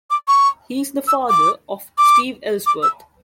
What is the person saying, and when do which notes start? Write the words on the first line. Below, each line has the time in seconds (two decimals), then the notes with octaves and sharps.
He is the father of Steve Ellsworth.
0.10 D6
0.28 C#6
1.08 E6
1.29 D6
1.98 D6
2.66 D6
2.83 E6